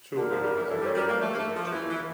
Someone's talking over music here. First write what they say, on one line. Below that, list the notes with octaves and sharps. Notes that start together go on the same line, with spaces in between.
Two women hiking on a rocky trail.
D3 A#4
F3
G3
E3
E3 A4
G3 C#5
G3 A#4
A#3
A3
A#3
A3
F3
F3
E3
E3